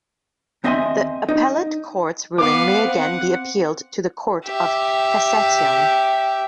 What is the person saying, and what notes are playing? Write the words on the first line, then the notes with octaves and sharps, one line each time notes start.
The appellate court's ruling may again be appealed to the Court of Cassatiom.
D#2 C4 D#5 E5 G#5 C6
D#4
B3 F5 F#5 D6
C4
G4 E5